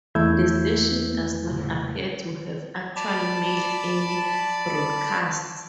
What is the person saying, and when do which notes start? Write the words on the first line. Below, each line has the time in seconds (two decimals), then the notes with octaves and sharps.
The station does not appear to have actually made any broadcasts.
0.15 E2 A3 E4 E6 G6 G#6
2.96 D5 A5 B5 D6